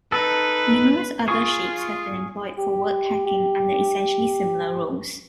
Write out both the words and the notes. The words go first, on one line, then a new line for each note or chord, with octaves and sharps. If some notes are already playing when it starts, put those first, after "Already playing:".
Numerous other shapes have been employed for word-packing under essentially similar rules.
D#4 A4 B4
F4 G#4 C#6
G4
G4